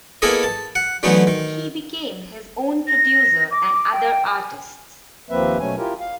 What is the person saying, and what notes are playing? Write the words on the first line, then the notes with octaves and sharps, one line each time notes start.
He became his own producer and other artist's.
A#3 B3 E4 G#4 A4 D#5
A5
F#5
D3 E3 F#3 A3 B3 D#4
D#3
A#6
D6
G5
G#5
D#2 F3 A#3 C4 B4 E5
B2 F#3 A3 C#4 G#5
E4 F4 G4 A#4
F5